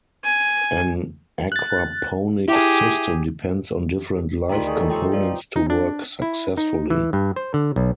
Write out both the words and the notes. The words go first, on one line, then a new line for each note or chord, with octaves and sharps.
An aquaponic system depends on different live components to work successfully.
G#5
F#6 A6
E4 G4 G#4
D2 D#3 G3 F4 A#5 B5
D#4 G#4 A4 C#5
G#3 C4 G4 C5 C#6
F3 B4 D5 D#5
D#4
D4
E4
D#4
E3
G2
C5
D3
B1